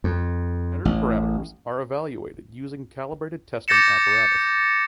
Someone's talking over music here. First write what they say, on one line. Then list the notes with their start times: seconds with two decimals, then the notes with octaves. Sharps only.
Standard parameters are evaluated using calibrated testing apparatus.
0.04 F2
0.85 A1
3.68 D6 G6 A6 A#6 C#7 E7